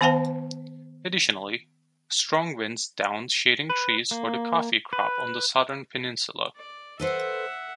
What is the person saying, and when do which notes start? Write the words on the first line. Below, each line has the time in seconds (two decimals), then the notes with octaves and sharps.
Additionally, strong winds downed shading trees for the coffee crop on the southern peninsula.
0.01 D#3 B3 C5 F5 G5 A5
3.70 B4
4.11 A#3
4.93 B4
6.56 D5
7.00 A4 B4 C5 E5 F#5